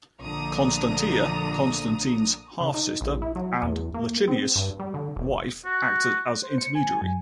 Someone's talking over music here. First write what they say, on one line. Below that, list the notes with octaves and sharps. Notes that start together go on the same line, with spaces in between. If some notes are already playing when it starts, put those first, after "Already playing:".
Constantia, Constantine's half-sister and Licinius' wife, acted as intermediary.
A#1 D3 F3 D4 A#5 D#6
C#3
D#4
A#1
E4
F#3
E2
A#3
C4
G2
G3
D3
E1
F#4
C5
C#7
G#5
F#2